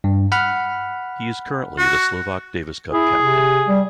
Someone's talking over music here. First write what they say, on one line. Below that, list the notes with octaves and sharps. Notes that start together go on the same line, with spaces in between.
He is currently the Slovak Davis Cup captain.
G2
F#5 B5 F6
F#4
E4 G#4
C3
G3